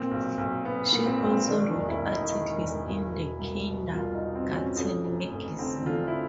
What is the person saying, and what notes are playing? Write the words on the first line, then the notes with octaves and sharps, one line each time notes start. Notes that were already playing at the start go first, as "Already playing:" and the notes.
She also wrote articles in the 'Kindergarten Magazine'.
Already playing: A#2 C4
B1
B1
B1 B3
B3
A#2
C4
B1
C4
D#3 D4
D4
E1
E4
E1 D#4
E4
D#3
E1
E1
B2
C2
B2
C2 F4
D#4
B2
C4
B2
C#4
F2
F1
F1
D3 C4
D3 F4
E4